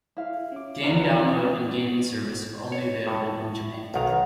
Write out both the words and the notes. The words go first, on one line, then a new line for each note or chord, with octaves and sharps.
Game download and gaming service only available in Japan.
E4 F5
C#4 D6
E2 B2 C#4 D#4 E4 A#4 D5
C#5
A2
B1 D#3 F#5 A#5